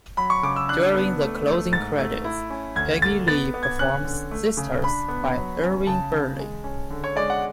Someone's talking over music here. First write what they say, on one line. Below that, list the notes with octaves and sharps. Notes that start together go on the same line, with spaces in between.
During the closing credits, Peggy Lee performs "Sisters" by Irving Berlin.
F#3 B5
C#6
C#3 D6
E6
D4 F#6
B3
A3
A3
G#2 A6
A3
E4
C#4
D2 G#6
D2 A6
B3 A6
B3
G#6
C#4 F#6
D3
A3
C#3
D4 B5
B3
F#3
C#4
C#3 A5
C#3
G#3
C#4
D3
C#5
G#3 D5
F#5